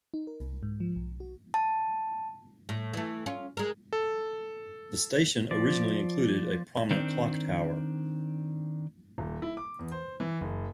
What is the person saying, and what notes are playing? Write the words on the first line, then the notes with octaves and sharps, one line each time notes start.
The station originally included a prominent clock tower.
D#4
A#4
C2
G#2
F3
B1
F#4
A5
A2
E3 A3
C#4 F4
G#3 A#4
A4
F3 D5
D#3 C4 D4
D#1
E4
D6
E2
C5
E3
F#1